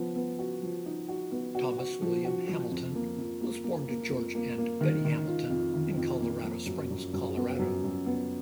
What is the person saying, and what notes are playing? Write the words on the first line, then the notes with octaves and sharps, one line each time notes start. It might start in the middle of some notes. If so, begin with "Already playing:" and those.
Thomas William Hamilton was born to George and Betty Hamilton in Colorado Springs, Colorado.
Already playing: F3 B3
B3
F#4
F3
D#4
F#4
B3
F#4
F#4
F3
F#4
F3
F2
A#3
F2
A#3
A#3
A#3
F2
A#3
A#3
D#3
D#3
F4
F2
D#3
F2
A#3
F3
F#2
F#2
F#2
B3
F#2
F#2
B3